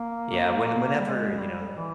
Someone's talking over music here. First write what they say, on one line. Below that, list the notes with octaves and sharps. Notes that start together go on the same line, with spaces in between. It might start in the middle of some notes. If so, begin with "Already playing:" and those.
Yeah, when whenever, you know
Already playing: A#3
G3
G#3
G3
E3